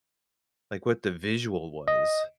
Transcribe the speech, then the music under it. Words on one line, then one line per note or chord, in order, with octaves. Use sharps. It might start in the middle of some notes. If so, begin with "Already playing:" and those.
like, what the visual was.
D#5